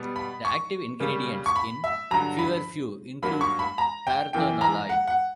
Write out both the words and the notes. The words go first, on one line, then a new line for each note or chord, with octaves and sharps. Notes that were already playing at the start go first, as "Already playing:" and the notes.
The active ingredients in feverfew include parthenolide.
Already playing: B2 G3 B3
B5
C#6
C#3 G3 A#3
C#6
B5
E5
G2 D3 F#3 A#5
B5
G2 F#3 A#3 B5
C#6
B5
A#5
G5
F#2 E3 A#3 G5
A#5
F#5
F#5